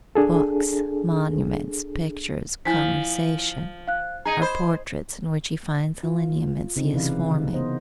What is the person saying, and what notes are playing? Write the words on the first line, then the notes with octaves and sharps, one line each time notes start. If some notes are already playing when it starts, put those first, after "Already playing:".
Books, monuments, pictures, conversation, are portraits in which he finds the lineaments he is forming.
D4 G#4 A4
F3 E4 G#5 B6
F5 F#6
D#4 G#4 A#5 D#7
C5 B5
F4
C#3 C4 D#4
C3 E3 B4 D5 F5
C#3 D#4
A#3 B3 C5 D#5